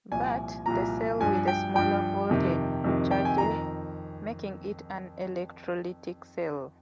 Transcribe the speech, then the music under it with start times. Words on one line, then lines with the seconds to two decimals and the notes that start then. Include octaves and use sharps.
But, the cell with the smaller voltage charges, making it an electrolytic cell.
0.12 C2 A#2 F3 G#5
0.66 C2 A#2 F3 A#5
1.20 G2 F3 G#5
1.47 G5
1.75 G2 F3 G5
2.30 F2 C3 D#3
2.84 F2 C3 D#3
3.11 G5
3.25 G#5
3.38 F2 D#3 A#5